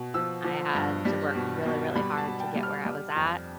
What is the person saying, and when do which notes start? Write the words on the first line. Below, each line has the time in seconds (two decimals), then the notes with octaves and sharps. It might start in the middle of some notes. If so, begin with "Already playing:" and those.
I had to work really, really hard to get where I was at,
Already playing: B2
0.14 F3 E6
0.44 F3
0.75 G2
1.05 G3
1.35 B2
1.65 B2
1.96 G3 B5
2.18 A5
2.25 B2
2.40 G5
2.56 G3
2.63 F6
2.85 G3
3.16 F2